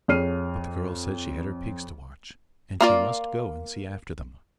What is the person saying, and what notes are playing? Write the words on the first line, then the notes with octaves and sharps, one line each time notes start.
But the girl said she had her pigs to watch, and she must go and see after them.
F2 G#4 C#5 F6 C7 D#7
A#3 F4 D5